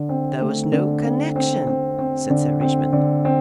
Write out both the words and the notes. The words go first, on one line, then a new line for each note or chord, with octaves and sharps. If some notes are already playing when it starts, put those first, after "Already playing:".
"There was no connexion," said Sir Richmond.
Already playing: D3
C4
A3
D3
C4
C4
C4
C4
D3
C4
D3
C4